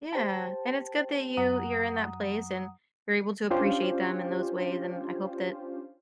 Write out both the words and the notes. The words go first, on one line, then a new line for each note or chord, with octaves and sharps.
Yeah. And it's good that you you're in that place and you're able to appreciate them in those ways, and I hope that,
G4 C5 G5 A5
F#2 F#3 F#5 A#5 D#6
C#4 D4 F4 G4 C5